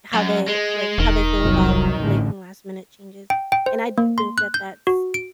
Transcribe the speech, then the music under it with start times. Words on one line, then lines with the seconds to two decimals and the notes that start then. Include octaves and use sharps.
how they, like, how they feel about making last minute changes, and I do think that that's,
0.14 F#2
0.48 G#3
0.98 E1 D#3
1.42 C2 F2 F#3
2.00 A1 D3
3.30 G5
3.52 G5
3.66 C5
3.98 A#3
4.18 C6
4.38 F#6
4.54 G6
4.87 F#4
5.14 D7